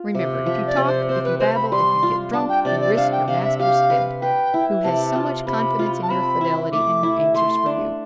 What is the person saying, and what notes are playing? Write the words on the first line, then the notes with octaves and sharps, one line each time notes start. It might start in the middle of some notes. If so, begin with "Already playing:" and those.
Remember, if you talk, if you babble, if you get drunk, you risk your master's head, who has so much confidence in your fidelity, and who answers for you.
Already playing: F4
C3
F3 E5
D5
C3
C5
C4 C5
B4
C4 C5
B5
G3 C6
F4
D4 A5
G5
C3 D5
D5
D4 F5
G5
C3 F5
E5
G4 F5
B4
B4 G5
E4
C3 A5
F4
C3 B5
F4
A5
C4 B5
E4
A3 D6
E4
A3 C6
D4